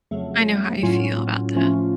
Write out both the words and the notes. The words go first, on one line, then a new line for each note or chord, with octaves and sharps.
I know how you feel about that.
F2 C#3 F#3 A3
A2 F#3 C#4 F4
A2 F3 A3 C#4 F4